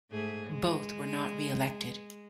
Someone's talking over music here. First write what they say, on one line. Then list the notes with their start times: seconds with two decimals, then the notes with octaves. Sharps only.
Both were not re-elected.
0.10 G#2 A3 G#4
0.46 G#3